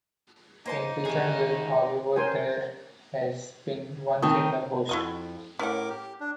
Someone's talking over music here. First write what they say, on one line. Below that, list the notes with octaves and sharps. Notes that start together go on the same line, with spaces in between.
In recent years, however, there has been one single host.
A#3 D#4 C5 A5
C3 D#3 A3 G#4
C#4 A#4 C5 G5 G#5
D#3 C4 D#4 C#6 D#6
F2 E4 F#4 D#5
A2 C#4 A#4 F#5 D6
G4
D4